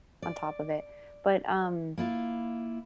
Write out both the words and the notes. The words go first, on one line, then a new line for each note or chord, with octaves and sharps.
on top of it. But, um,
D5
A#3 E4 F4